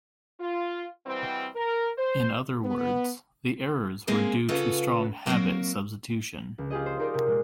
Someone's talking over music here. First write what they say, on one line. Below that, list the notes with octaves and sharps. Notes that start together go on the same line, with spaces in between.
In other words, the errors were due to strong habit substitution.
F4
B2 E3 G3 C4
A#4
C5
B3
G#3 A#3 C4 C#4 G#4
C#3 F4 A4 B4 D#5 F#5
F#3 A#3 C4 F#4 A#4
C#2
F4 G4 G#4 D#5
C5
D#4 A#4 C5 D5 D#5
C3
A#2 G#3